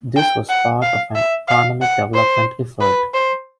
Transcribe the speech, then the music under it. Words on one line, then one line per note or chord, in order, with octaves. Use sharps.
This was part of an economic-development effort.
G5
F#5
F5
E5
F5
F#5
C5
B4
C5